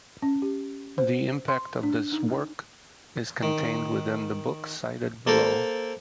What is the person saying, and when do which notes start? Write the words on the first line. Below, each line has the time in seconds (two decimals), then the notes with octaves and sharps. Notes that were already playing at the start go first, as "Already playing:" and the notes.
The impact of this work is contained within the book cited below.
0.22 C#4
0.42 G4
0.98 C5
1.48 C6
1.83 D4
2.12 D#4
3.43 D#3
5.27 A#3 A4 A#4 C5